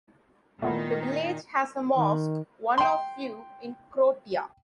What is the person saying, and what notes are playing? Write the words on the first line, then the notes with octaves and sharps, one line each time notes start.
The village has a mosque, one of few in Croatia.
A#2 D#3 A3 B3 D#4 E4
D#3
G5 C6